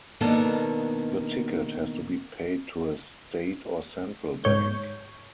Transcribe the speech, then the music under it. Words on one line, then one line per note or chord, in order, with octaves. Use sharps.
The ticket has to be paid to a state or central bank.
B2 D#3 A#3 B3 D4 A4
G#2 C#5 G6